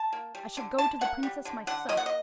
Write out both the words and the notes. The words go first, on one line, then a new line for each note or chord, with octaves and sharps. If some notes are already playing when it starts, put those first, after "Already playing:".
I shall go to the princess myself.
Already playing: A5
A#3
G3
D3
D3 A5
A#3 F#5
G3
D3
D3 F#5
A#3 D#5
F#5
D#5